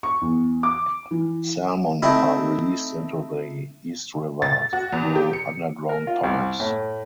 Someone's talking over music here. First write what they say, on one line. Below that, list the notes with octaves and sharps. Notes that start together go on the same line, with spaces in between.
Salmon are released into the East River through underground pipes.
C#6
E2
D6
E3
A3 C4 D#4 E4
A6
F#4
E2
G4
C#7
A#4
F4
C2
A2